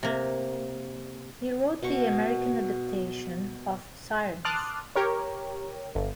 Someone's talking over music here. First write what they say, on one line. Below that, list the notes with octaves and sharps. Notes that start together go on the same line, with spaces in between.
He wrote the American adaptation of "Sirens".
C3 A#3
B2 F#4 C#6
A5 C6 D6 D#6 F6 F#6
G4 A#4 C#5
G1